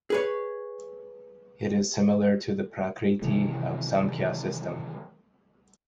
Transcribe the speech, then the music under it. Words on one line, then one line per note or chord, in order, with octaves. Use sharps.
It is similar to the Prakriti of Samkhya system.
G#4 B4 C#5
C3 D#3 E3 A3